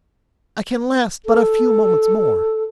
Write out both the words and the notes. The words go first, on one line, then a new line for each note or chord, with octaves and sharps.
I can last but a few moments more.
A4